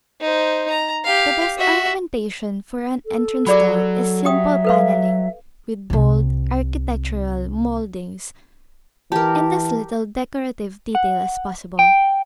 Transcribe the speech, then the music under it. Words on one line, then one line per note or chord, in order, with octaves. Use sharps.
The best ornamentation for an entrance-door is simple panelling, with bold architectural mouldings and as little decorative detail as possible.
D#4 C5
A#5
G4 F5
F#4 E5
A4
F#3 G#4 D5 B5
G4 E5 G5 D#6
A4 B4 F5
C2 C3
E3 G4 A#4 A5
F#5
G5